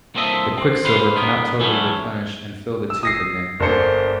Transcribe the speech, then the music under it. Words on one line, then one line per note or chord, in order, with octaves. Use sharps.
The quicksilver cannot totally replenish and fill the tube again.
C2 A#3 C4 A4 D#5 E5
C4
B4 C5 F5
B3 D#4 A#4
D2 E3 F#3 A3 C#4
E6
D#6 A#6 C7
G1 A#3 D4 C5 C#7